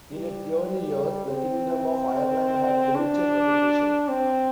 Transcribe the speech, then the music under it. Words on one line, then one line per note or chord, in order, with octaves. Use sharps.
In its early years, the Kingdom of Ireland had limited recognition.
G3
C4
D4
C4